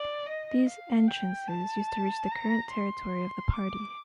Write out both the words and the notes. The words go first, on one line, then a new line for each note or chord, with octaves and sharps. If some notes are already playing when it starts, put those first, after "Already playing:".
These “entrances” used to reach the current territory of the party.
Already playing: D5
D#5
F5
G5
A5
A#5
C6
D6